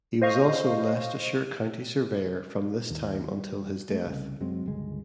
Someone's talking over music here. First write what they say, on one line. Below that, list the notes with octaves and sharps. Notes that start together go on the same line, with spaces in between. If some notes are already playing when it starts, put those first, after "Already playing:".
He was also Leicestershire County Surveyor from this time until his death.
C5 D#5 F5 C#6
D#2
G3
G#3 A3
C2 C#3
F#2 F#3 G#3 C4
G1 C#2 G#3